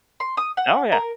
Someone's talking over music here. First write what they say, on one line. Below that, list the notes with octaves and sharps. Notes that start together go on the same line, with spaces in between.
Oh, yeah.
C6
D#6
F#5
A#4